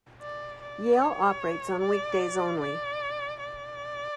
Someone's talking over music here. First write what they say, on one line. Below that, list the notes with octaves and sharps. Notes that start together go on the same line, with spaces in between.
Yale operates on weekdays only.
D5
D5
C#5
D5
D5
D5